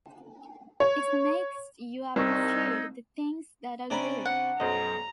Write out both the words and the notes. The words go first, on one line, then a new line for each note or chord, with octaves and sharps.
It makes you appreciate the things that are good.
C#5
C2 C4 D#4 A#4 C#6 E6 G#6
C3 C#4 D4 D5 A#5 B5
F#5
B1 F#2 C5 D#5 A#5